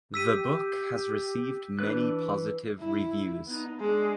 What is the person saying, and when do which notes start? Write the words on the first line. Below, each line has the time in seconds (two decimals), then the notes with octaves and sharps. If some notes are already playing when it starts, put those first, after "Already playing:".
The book has received many positive reviews.
0.14 G4 E6 B6 D#7
1.79 E3 D4 B4 F#6
2.79 E4
3.47 B3 D#4
3.80 G#3 D4